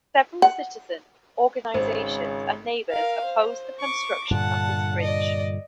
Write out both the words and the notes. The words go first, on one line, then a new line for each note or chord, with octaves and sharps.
Several citizen organizations and neighbors opposed the construction of this bridge.
F#5
G#1 C#3 C5
A#4 F5
C5
C#6 D6
G2 A#2 D3 F#5 A5
D5 D#5